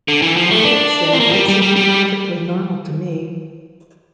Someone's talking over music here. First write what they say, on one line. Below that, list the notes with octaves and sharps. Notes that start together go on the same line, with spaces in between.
Wyatt said It seemed perfectly normal to me.
D3
E3
F3
A3
D4
C4
A#3
F3
G3
G3
G3
G3